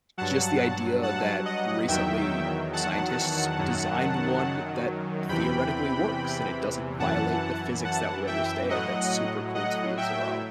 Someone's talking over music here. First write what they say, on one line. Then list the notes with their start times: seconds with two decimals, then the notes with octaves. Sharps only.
just the idea that recently scientists designed one that theoretically works, and it doesn't violate the physics that we understand, that's super cool to me, as well.
0.18 G2 F#3 F#5 A5
1.03 F#5 A5
1.45 D#5 F#5
1.88 E2 D#3 F#3 E5 G5
2.73 F#5 A5
3.59 F#2 D#3 F#3
5.29 E2 C3 E3 G5 B5
6.99 F#2 E3 F#5 A5
7.84 F#5 A5
8.27 E5 G5
8.69 A2 F#3 D#5 F#5
9.55 D#5 F#5
9.97 E5 G5